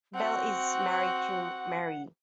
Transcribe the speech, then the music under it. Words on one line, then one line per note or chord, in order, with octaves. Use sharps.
Bell is married to Mary.
C4 F#4 F#5